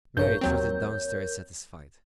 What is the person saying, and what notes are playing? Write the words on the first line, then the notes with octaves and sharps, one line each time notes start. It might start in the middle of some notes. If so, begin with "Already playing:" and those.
Mary trotted down stairs satisfied.
A#1 G2 A#4 C#5 G6
D#2 F#3 C4